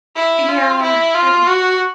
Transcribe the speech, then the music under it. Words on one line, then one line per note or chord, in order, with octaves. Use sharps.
Yeah, and,
E4
F4
E4
F4
F#4